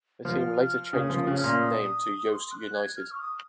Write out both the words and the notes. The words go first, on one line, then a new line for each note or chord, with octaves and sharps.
The team later changed its name to Yoast United.
F3 F6
C#3 D#6
F3
D#6
C#3
F6
A#2
D#6
C6
F#6
G#6
F6
C#6
D#6